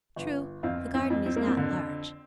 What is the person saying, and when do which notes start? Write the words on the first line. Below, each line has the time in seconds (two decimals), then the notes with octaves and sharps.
"True, the garden is not large."
0.16 G1
0.63 F2 C4 F4
0.95 C4
1.10 F2
1.26 C4
1.36 A#3
1.48 C4
1.57 D3